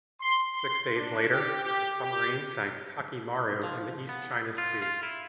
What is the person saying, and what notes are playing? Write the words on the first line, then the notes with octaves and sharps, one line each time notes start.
Six days later, the submarine sank "Taki Maru" in the East China Sea.
C6
C6
D4
G4
G4
G4
F3
B3
F4
F4
E4